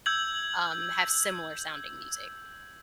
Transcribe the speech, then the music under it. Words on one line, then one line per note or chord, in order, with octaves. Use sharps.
um, have similar sounding music.
E6 G6 G#6 F#7